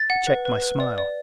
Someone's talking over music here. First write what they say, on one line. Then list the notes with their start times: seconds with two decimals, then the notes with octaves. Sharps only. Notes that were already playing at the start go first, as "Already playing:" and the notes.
I checked my smile.
Already playing: A6
0.10 F#5
0.27 B4
0.45 B4
0.62 B4
0.80 D5
0.98 D5